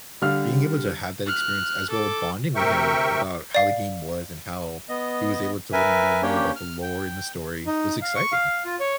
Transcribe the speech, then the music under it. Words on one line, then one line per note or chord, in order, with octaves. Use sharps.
being able to have that experience as well bonding with him about how the game was and how he was able to let me know more about the lore and the story, was exciting.
D3 G3 F5 F6
F6 F#6
A4 D6
D2 C3 A#4 E5 G5 C#6
D5 F5
B3 D#5
A#4 B4 E5 G#5
A#3 C#4 D4 G4 C#5 G5
F6
G5
D#4
F5
C#6
F5
F4
C#5